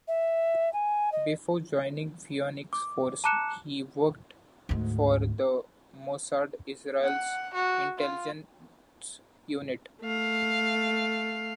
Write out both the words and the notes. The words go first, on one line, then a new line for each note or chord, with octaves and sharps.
Before joining Phoenix Force, he worked for the Mossad, Israel's intelligence unit.
E5
G#5
D#5
D6
A5 A#5 D6 F#6 C#7 E7
D2 G#2
F#5
F#4
F4
A3 F5